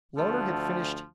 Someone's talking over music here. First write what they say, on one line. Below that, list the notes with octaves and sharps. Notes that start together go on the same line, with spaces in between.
Loder had finished.
D2 F3 A4